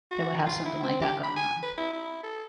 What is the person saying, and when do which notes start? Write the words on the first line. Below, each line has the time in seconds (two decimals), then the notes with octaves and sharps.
they would have something like that going on.
0.11 F#4
0.46 F4
0.65 E4
0.83 C4
1.01 G4
1.23 B5
1.37 G#5
1.63 B4
1.78 E4
1.93 E4
2.23 A4